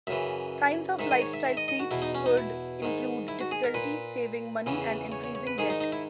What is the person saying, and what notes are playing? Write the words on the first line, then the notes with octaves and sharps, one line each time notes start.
Signs of lifestyle creep could include difficulty saving money and increasing debt.
F#2 C#3 E3 E5
G#2 D#3 E5
D#5
C#5
E5
E5
D#5
D#5
F#4
E2 B2 E4
D#4
C#4
D#4
E4
G#2 D#3
E4
F#4
G#4
A#4
A#2 B4
E2 C#3 E3
C#5
C#5
C#5
B4
G#2 D#3 G#4
D#4
D#4
E4